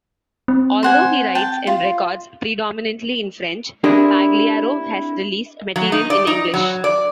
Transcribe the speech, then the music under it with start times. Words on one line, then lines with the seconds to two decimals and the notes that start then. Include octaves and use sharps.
Although he writes and records predominantly in French, Pagliaro has released material in English.
0.48 C4
0.83 C5 F#5 G#5
1.35 G5 A5
1.67 F4
3.84 C4 D4 E4 G4 G#4 A#4
5.76 F#3
5.92 D#4
6.10 D5
6.27 D#4
6.54 F#3
6.84 D5